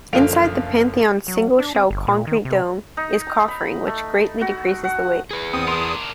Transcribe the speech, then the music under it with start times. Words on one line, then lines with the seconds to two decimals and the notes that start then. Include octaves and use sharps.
Inside the Pantheon's single-shell concrete dome is coffering which greatly decreases the weight.
0.13 F#1 D3 F3 F5 D7 F7
1.28 F#3
1.59 D4
1.75 C4
1.91 G1
2.07 A#2
2.27 D#3
2.45 C3
2.97 D#4
3.27 A#5
3.48 B5
3.87 A3
4.41 F#4
4.84 F#5
5.31 G#4 B4
5.53 E2 C4 D#6
5.68 D4 A#4 C6